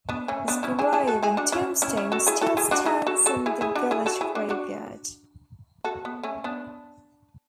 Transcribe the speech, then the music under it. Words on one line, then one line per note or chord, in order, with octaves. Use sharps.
His grave and tombstone still stands in the village graveyard.
B3 D4
A3 C#4
B3 D4
C#4 E4
E4 G#4
E4 G#4
F#4 A4
E4 G#4
D4 F#4
C#4 E4
C#4 E4
C#4 E4
F#4 A4
E4 G#4
F#4 A4
E4 G#4
D4 F#4
E4 G#4
F#4 A4
F#4 A4
E4 G#4
E4 G#4
D4 F#4
E4 G#4
F#4 A4
E4 G#4
D4 F#4
D4 F#4
F#4 A4
B3
A3 C#4
B3 D4